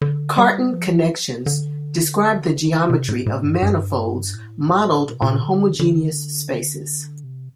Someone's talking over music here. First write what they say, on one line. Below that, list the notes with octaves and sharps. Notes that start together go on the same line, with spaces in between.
Cartan connections describe the geometry of manifolds modelled on homogeneous spaces.
D3
G3
F3
D3
C3
A2
A2
G2
G2
A2
A#2
C3
A#2
D3
D3
C3